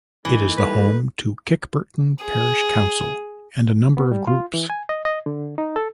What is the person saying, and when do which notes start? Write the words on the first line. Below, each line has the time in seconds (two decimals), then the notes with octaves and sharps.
It is the home to Kirkburton Parish Council and a number of groups.
0.25 G#2 E3 A3 A#3 D#4
0.58 G3 A4 B4
2.24 G#4
3.97 B3
4.12 G3
4.27 F4
4.54 E3
4.70 G#5
4.89 D#5
5.05 D#5
5.26 D3
5.58 D#4
5.76 A4